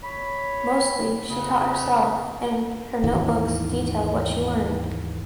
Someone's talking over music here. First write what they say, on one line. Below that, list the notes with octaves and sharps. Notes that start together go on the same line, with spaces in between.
Mostly she taught herself and her notebooks detail what she learned.
C#5 B5
F2 A#2 C#3
D#2 G#2 D#3 E3